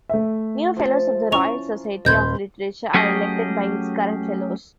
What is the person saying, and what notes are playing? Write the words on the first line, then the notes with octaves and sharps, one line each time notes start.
New fellows of the Royal Society of Literature are elected by its current fellows.
A3 E5
F3 A5
C#4 E4 A#5 C#6 F7
D#1 D#5 F5 B5 C6 G6 G#6
F#3 A3 C#4 G4 G#4 D#5